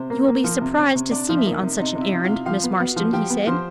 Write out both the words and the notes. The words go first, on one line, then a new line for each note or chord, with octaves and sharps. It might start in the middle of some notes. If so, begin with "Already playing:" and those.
"You will be surprised to see me on such an errand, Miss Marston!" he said.
Already playing: C3 C4 C5
A#3
A#3
F3 C4 C5
C3
C3 C#4 C#5
C3
C3 D4 D5
F3
E5
A#3 D#4 D#5
C3
C3 D#4 D#5
C3
E4 E5
C3
C3 F4 F5
F3 F4 F5
B3
B3 F#4 F#5
F3
F3 G4 G5
B3
F3 C5 C6